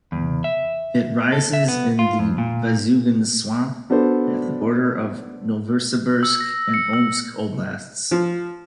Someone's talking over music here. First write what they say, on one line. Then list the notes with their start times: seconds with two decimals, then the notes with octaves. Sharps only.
It rises in the Vasyugan Swamp at the border of Novosibirsk and Omsk oblasts.
0.12 E2
0.44 E5
1.32 A4
1.53 E5
1.68 B3
1.99 F4
2.19 F2
2.38 A#2
3.90 B3 D4 F#4 A4 C5
6.23 E6
6.40 A#6
6.74 C#7
6.93 E6
8.11 F3